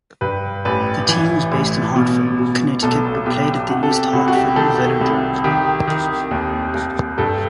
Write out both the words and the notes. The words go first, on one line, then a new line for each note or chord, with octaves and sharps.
The team was based in Hartford, Connecticut but played at the East Hartford Velodrome.
G2 B4
A1 B4
E3
A1
B2
B2
B1 A4
B1 G4
C3 F#4
A4
G4
C2 F#4
F#4
G4
D#3 A4
C2
D#3 G4
D#3
D#2
D#2
G2 A4